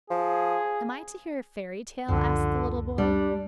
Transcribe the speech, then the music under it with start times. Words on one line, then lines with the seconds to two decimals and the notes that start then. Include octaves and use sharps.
"Am I to hear a fairy tale?" asked the little boy.
0.10 F3 G#4
2.08 C#2 F#2 D3 F3
2.98 G3 D4